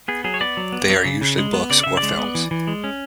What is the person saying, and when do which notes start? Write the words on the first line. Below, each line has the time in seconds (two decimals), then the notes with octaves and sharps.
They are usually books or films.
0.08 B3 G#4
0.24 F#3 G#4
0.34 C#5
0.41 B3 D5
0.57 F#3
0.72 B3
0.89 F#3
1.05 C#3
1.21 C#3
1.38 G#3
1.54 B3
1.70 C#3 D5
1.84 C#3 E5
1.97 D5
2.03 G#3
2.19 B3
2.35 E3
2.51 E3
2.67 G#3
2.84 C#4